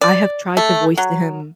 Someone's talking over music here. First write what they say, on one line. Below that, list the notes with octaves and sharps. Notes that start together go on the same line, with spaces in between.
I have tried to voice to him
D5
A3
F#3